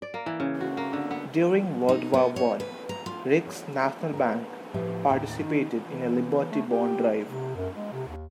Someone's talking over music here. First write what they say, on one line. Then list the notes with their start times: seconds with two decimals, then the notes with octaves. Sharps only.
During World War One, Riggs National Bank participated in a Liberty bond drive.
0.02 D5
0.14 A#3
0.26 E3
0.40 C#3
0.61 F#4
0.77 A#3
0.93 D3
1.11 B3
1.89 D#4
2.14 B3
2.36 C#5
2.60 B4
2.89 A#5
3.06 F4
3.47 C#5
4.13 A#4 B4
4.74 A2 F3 G4 B4 E5
5.08 D#2 A2 G5
5.41 D#3
5.85 E3
6.52 A3
6.70 G4
7.26 C3
7.55 F#2
7.76 G#3
7.93 C3
8.07 D#2